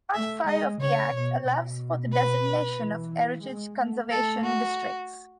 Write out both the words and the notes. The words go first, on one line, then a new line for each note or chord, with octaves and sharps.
Part Five of the "Act" allows for the designation of heritage conservation districts.
A3 E5
G#3 D#5
C#3 C#5
B2
B2
B4
E3
G#3
A3
A3 A4
F#4